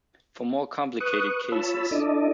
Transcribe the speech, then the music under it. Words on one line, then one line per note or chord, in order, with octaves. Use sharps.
For more complicated cases.
B4 C#6 D#6 F#6
F4 C#5 A5 B5 E6
D4 E4 A4 D5 D#5